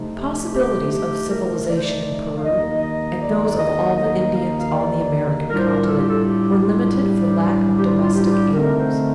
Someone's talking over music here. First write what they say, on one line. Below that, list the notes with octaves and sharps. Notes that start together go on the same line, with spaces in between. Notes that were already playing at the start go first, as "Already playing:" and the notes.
The possibilities of civilization in Peru, and those of all the Indians on the American continent, were limited for lack of domestic animals.
Already playing: C3 F3 A3 D#4
G4
G4
G4
A#4
D5
C5
D5
F5
D#2 D#3 A#3 D#4 D#5
D#5
D5
D#5
D#5
F5
F5
D5
A2 G3 D4 F4 A#4
C5
A#4
A4
G4
A4
G4
F4
F4
G4
G4
F4
F4
G4
F4
G4
D3 A3 C4 D#4 A#4
C5